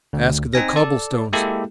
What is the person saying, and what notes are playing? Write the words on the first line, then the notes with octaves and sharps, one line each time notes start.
Ask the cobble stones.
D2
C4 D#4 G#5 A#6
A4 D5 A5
G#3 A#3 E4 G4 A4